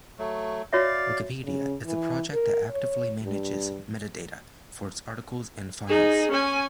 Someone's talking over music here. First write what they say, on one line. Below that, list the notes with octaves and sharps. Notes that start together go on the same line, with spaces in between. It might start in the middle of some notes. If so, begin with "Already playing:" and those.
Wikipedia is a project that actively manages metadata for its articles and files.
F#3 A3
F#4 C#5 D5 E5 F5
C#3
E3
A#4
C#5
G2
D#4 G#4
C#4 G#5